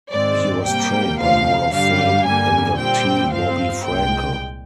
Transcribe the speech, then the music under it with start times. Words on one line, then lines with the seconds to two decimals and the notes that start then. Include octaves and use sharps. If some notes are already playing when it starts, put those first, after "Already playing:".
He was trained by Hall of Fame inductee Bobby Frankel.
0.12 G#2 D#3 G#3 C4 D5
0.65 C3 G3 A#3 G5
1.18 D2 C3 F3 F5
1.71 G2 D3 G3 F5
2.25 G2 D3 G3 A#3 G#5
2.78 A#2 G3 C4 G5
3.31 G2 F3 C4 F5
3.85 C2 A#2 G#3 G5